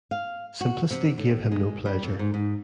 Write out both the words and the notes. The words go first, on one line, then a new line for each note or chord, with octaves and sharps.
Simplicity gave him no pleasure.
F5
F#4
C3
A2
G#3
G3
F2
G#2
G#2